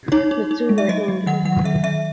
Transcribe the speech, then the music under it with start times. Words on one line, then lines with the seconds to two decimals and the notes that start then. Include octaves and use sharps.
The two were Engr.
0.12 D#4 C#5
0.31 D#4
0.51 D#4
0.69 G#3
0.78 E5
0.88 F#3 D#5
1.08 F#3
1.26 D#3 F#5
1.45 F#3 F#5
1.64 D#3 E5
1.83 D#3 E5